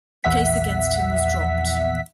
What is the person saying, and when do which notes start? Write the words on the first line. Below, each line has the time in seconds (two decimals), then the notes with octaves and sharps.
The case against him was dropped.
0.24 A#1 E2 E5 F#5 B6